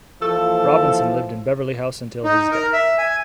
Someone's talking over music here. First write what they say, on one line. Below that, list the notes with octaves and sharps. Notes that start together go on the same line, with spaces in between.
Robinson lived in Beverley House until his death.
E3 F3 A#3 E4 A4
D#4
A#4
E5
G#5